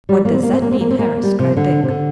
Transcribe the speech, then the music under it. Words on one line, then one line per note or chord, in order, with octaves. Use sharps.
"What does that mean, Harris?" cried Dick.
G3
A#3
C4
A#3
C4
A#3
C4
A#3
C4
A#3
G3
C3
D3
C3
D3